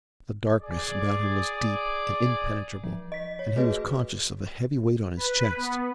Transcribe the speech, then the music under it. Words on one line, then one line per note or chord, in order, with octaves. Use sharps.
The darkness about him was deep and impenetrable and he was conscious of a heavy weight on his chest.
G#4 D5
F3
D#5 B6
C#5
A3 F#4 G#4 B4 D#5
B4
B3